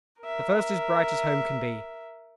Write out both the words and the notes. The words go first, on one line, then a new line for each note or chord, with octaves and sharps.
The first is bright as home can be.
A#4 E5